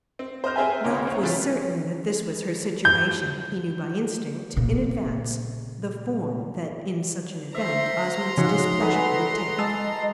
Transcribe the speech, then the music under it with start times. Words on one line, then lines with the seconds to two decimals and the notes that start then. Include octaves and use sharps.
Ralph was certain that this was her situation; he knew by instinct, in advance, the form that in such an event Osmond's displeasure would take.
0.19 C4
0.44 C5 D#5 F6 G6
0.56 C4 G#4 C5 E5 G#5
0.84 D2 F4 A#4 C#5
1.07 C4 C#5
1.22 C#3 E3 F3 G3
2.85 G6
4.57 A#2 C#3
7.55 C5 E5 A#5 C6
8.38 G#2 C#3 F3 F#4
8.81 F#3 G#4 A4 B4
9.58 G#3 D#5 A5 E6 A6